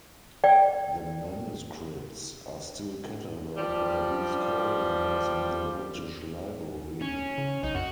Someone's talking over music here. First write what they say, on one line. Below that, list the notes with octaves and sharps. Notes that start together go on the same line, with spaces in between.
The manuscripts are still catalogued by these call numbers in the British Library.
D5 G5
F3 G3
C#4
C#3
B1 D#4
F#2 F#4